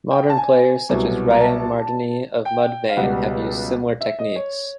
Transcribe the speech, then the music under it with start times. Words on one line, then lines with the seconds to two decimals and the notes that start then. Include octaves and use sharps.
Modern players such as Ryan Martinie of Mudvayne have used similar techniques.
0.12 G5
0.29 A5
0.37 G#5
0.89 C2 B2 F#3
1.30 A#5
1.41 A5
2.45 G5
2.90 F5
2.97 C#2 B2 G3 F#5
4.01 E5
4.19 D#5
4.36 C#5